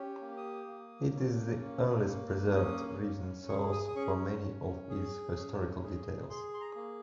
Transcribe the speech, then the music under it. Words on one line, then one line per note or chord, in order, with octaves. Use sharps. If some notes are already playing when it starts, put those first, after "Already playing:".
It is the earliest preserved written source for many of its historical details.
Already playing: C#4 G4
A#3
D#6
A#3
C#4
A#3
A#3
C#4 D#6
C#4
G#4 C#6
D#6
D#6
C#4 C#6
C#4
G#4
C#4
G#4
G#4 C6
C6
A#5
A#3